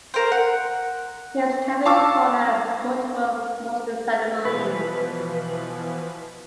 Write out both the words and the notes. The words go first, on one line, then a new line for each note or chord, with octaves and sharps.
Names can be called at multiple Muster ceremonies.
A#4 C5
F#5
F4 F5 A5 C#6 D6 E6
B2 E3 F3 B4